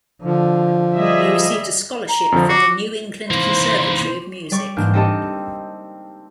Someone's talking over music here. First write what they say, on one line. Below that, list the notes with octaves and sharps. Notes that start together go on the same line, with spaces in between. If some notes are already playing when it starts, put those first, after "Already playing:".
He received a scholarship from the New England Conservatory of Music.
D3 F3
G3 G#4 D#5 E5
A#5
F2 D3 F3
F#4 D6 C7
C3 D#3 E3 A#3 B4 C5
G3 D5 C#6
G#2 E3 A#3 D4 F6 G6
C4 D#4 G4 A4 D#5 A5